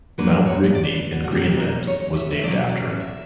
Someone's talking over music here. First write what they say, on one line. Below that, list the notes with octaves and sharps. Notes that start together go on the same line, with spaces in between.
Mount Rigny in Greenland, was named after him.
A#2 F#3 A#3 D4 B4
C#5
D5
B4
F#4
F#4
B2 G3 A#3 D4 G4
A#4
C#5
E5
E5
B2 F#3 C#4 D5
D5
E5